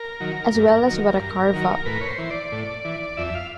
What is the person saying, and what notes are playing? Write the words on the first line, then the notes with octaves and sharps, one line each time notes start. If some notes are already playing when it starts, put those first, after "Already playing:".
As well as What a Carve Up!
Already playing: A#4
D#3 F#3
G2
D#3 F#3
G2
D#3 F#3
A2 B4
C#5
C5
E3
D5
A2
E3
F2 E5
F5